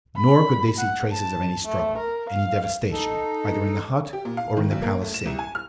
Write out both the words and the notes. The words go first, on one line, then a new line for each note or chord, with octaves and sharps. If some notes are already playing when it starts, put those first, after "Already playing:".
Nor could they see traces of any struggle, any devastation, either in the hut, or in the palisade.
B5
F#5
A5
A3
A#4
F5
D#4 A4
G4
A#2
F5
D#3
B1
A#3
A3
E7
C2
G#5
F6